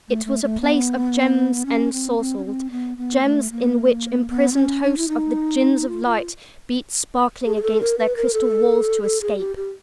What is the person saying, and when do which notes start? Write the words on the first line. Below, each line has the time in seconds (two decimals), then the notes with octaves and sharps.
It was a place of gems ensorcelled, gems in which imprisoned hosts of the Jinns of Light beat sparkling against their crystal walls to escape.
0.09 A3
0.25 A3
0.43 A3
0.60 B3
1.66 C#4
1.93 C4
2.19 C4
2.38 C#4
2.45 C4
2.71 B3
2.97 B3
3.24 A3
3.51 A#3
4.30 B3
4.52 C4
4.55 C#4
4.83 D4
4.98 E4
5.09 D#4
5.88 F4
6.05 F4
7.46 G#4
7.56 G#4
7.63 A4
7.81 A#4
7.98 B4
8.16 A#4
8.33 A4
9.03 A4
9.22 G#4
9.39 G4
9.56 G4